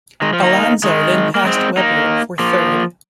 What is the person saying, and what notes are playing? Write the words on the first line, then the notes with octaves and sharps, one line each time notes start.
Alonso then passed Webber for third.
D#3 G#3
F3
A#3 D#4
D#3 G#3
A#3
G#3 C4
A#3 D#4
F3 A#3